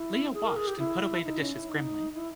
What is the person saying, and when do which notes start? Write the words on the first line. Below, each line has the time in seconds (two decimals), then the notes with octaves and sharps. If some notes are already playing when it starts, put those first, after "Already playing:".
Lia washed and put away the dishes grimly.
Already playing: E4
0.34 G#4
0.45 A#4
0.56 G#4
0.67 G4
0.79 E4
1.25 D#4
1.39 C#4
1.54 E4
1.69 D#4
2.15 E4